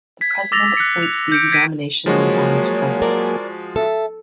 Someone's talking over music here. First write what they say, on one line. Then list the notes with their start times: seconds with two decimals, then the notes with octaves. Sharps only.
The President appoints the Examination Yuan's President.
0.21 G#6 B6
0.52 D6 E6 A6 A#6 F7
0.77 F#6 C#7
1.03 F7
1.32 G6 C#7 D7
1.52 G#6 A#6 B6 D7 D#7
2.06 F3 F#3 G#3 A#3 F#4 G#4 C#5
3.02 A#4 D5 A5
3.76 A4 E5